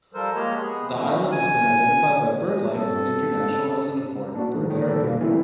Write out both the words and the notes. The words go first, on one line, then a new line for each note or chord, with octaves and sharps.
The island has been identified by BirdLife International as an Important Bird Area.
F3 G3 A4 A#4 C5
G#3 A#3 G4 C#5 D#5
B3 G#4
D3 E3 A3 C4
G#5
G2 C4 A4
D4 F#4
D#3 F3
D3 D#3
A4 B4 C5 D5
B2 D3 G3 A#3
D3 E3 G3 A3 C4 E4